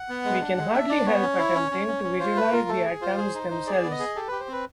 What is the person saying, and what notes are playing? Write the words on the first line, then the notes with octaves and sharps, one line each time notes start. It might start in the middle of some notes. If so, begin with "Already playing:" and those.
We can hardly help attempting to visualize the atoms themselves.
Already playing: F#5
B3
G#3
D4
G#3
D4 E5
D4 D5
B3 C#5
C#4
E4
C#4
C#4
C#4
C#4
F4 C5
A3 B4
F4 A#4
A3 A4
G#4
F4 C5
G#4
D#4
D#4
G#4 D5
B3
D#5
G#4
G4 A4
G4 B4
C5
C4 B4